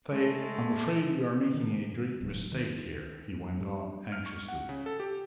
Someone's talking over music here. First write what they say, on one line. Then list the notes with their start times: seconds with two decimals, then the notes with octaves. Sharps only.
"Say, I'm afraid we are making a great mistake here," he went on anxiously.
0.11 G#3 A3
1.54 D#3
2.21 D1
2.52 D#3
3.61 G2
4.12 F6
4.26 C#6
4.48 F#5
4.69 C#3
4.86 A4
5.00 G4